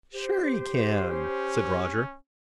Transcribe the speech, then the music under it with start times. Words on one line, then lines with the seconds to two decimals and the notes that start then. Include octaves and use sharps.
"Sure you can," said Roger.
0.13 G4 C5
1.10 C#4